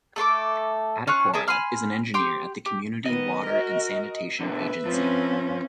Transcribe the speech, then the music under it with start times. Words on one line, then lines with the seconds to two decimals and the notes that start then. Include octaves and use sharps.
Atakora is an Engineer at the Community Water and Sanitation Agency.
0.16 A3 A4 C6 D6
1.07 C#4 F4 C#6 F#6
1.34 G#4 A#4 E5 A5
1.48 G#5 B5 C6 F6
2.14 G4 G5 C6
2.66 G4
3.06 D#3 B3 D#5
3.46 F#4 A#4
4.41 B2 D3 B4 E5
4.86 F3 C4 C#4